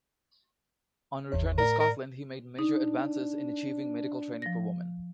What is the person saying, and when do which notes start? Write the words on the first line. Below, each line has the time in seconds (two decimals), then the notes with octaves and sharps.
On return to Scotland he made major advances in achieving medical training for women.
1.32 G#1 E2 C#5
1.58 A2 A#4 D5
1.80 A#4
2.59 D4 D#4
4.42 F3 A#6